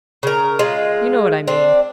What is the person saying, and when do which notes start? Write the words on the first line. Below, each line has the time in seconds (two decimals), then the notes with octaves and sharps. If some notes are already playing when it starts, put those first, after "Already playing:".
"You know what I mean."
0.23 C#3 A#4
0.59 G#3 F4
1.47 C4 D4